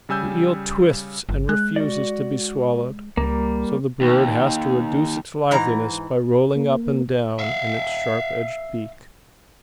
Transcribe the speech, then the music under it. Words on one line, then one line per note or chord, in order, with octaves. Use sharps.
The eel twists, and refuses to be swallowed; so the bird has to reduce its liveliness by rolling up and down in its sharp-edged beak.
C#3 G3 G#5 E6 G6
G1
G#3 F#6
F#4 D5
C#2 G3 A#3
D#2
G#2 E3 A#5
A#3
E5 F5